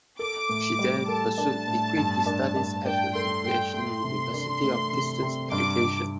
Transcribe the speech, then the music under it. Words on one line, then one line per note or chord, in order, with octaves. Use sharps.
She then pursued equity studies at the National University of Distance Education.
A4 D6
A2
G3
A4 A5
D4
A2
G2
D4
D4
D4 G5
A4 C6
A4 G5
A3 C6
C3
D4
A3
C3
C3
G2 D6
G2